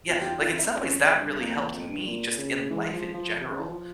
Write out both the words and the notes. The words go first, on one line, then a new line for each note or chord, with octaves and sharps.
Yeah, like, in some ways, that really helped me just in life in general,
E2 F4
G4
F4
F2 F4
E4
F2 C#4
F2
G#2
G2
F2 A#3
E2
F2
G2
A#2
C#3
E3 G#3
F3
F3
C3
C#3
E3
F3